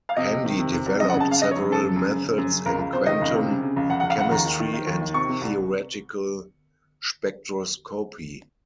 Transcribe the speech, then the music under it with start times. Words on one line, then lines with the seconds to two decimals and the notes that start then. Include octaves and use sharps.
Handy developed several methods in quantum chemistry and theoretical spectroscopy.
0.09 F5
0.17 C3 D#5
0.31 C3
0.45 D#3
0.59 C3
0.72 C3
0.86 C2
1.00 F#2 D#5
1.09 F#5
1.14 C#3
1.20 A5
1.28 C#3 F5
1.41 C#3 D#5
1.51 C#5
1.55 F#2
1.69 C#3 A4
1.82 F#2
1.96 F#2
2.10 C#3
2.24 C#3
2.38 F#2
2.51 C#3
2.66 C#2 A#4
2.79 C#2
2.93 C3 C5
3.06 D#3 D#5
3.21 C#2
3.34 C3
3.48 C#3
3.62 C#3
3.76 C#2
3.90 C#2 F#5
4.00 F#5
4.03 C#2
4.10 F5
4.18 C#2 F#5
4.31 D#2 A#5
4.45 D#3
4.59 D#3
4.73 D#3
4.87 D#2
5.01 D#3
5.14 C3 C#6
5.29 C3
5.41 C2